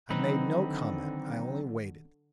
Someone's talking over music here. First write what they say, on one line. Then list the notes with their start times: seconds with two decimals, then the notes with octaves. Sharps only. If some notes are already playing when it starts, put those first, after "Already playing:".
I made no comment; I only waited.
0.10 D3 D#3 F#3 C4 D#4 B4